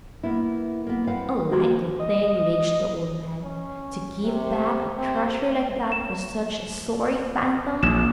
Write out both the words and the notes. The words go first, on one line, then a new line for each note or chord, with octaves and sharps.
"A likely thing," raged the old man, "to give back a treasure like that for such a sorry phantom."
A#3 B3 E4
A#3 B3
C4 A#4 B4 F5 F#5
D3 F3 G#3 A#3 F#4 G4
D#5
C#4
C3
C4
E7
A#1 E7